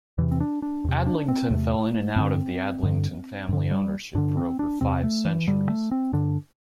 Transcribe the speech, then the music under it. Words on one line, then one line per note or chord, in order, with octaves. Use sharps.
Adlington fell in and out of the Adlington family ownership for over five centuries.
E2 C3 E3
C4
D4
D4
E2 C3
D4
C4
E2 C3 A3
G2 D3 C4
G2 D3
G2 D3
G3
G2 D3 D4
C4
D4
E2 C3 C4
A3
E3
G2 D3 G3
A3
C4
G2 D3 D4